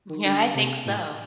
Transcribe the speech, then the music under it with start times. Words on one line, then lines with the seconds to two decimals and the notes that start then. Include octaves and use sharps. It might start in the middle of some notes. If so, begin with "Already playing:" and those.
Yeah, I think so.
0.09 D#3
0.25 D3
0.55 C3
0.85 A2